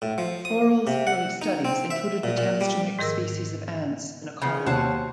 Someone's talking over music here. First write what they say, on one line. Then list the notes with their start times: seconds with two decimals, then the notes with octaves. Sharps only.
Forel's early studies included attempts to mix species of ants in a colony.
0.02 A2
0.18 F3
0.45 D#6
0.87 C3
1.07 F#5
1.42 D#4
1.65 C4
1.91 E5
2.24 A#2
2.38 A#2
2.61 G3
2.99 G#2 D#3 G#4 A#4 D#5 E6
4.42 C#3 F3 B3
4.66 D#2 F#4 C5 C#5 A5